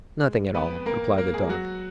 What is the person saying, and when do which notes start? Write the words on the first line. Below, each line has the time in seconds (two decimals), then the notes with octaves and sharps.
"Nothing at all," replied the Dog.
0.24 G#3
0.54 F2 B3 B4
0.86 A#3 A#4
1.18 A#3 A#4
1.34 G#3 G#4
1.49 F#3 F#4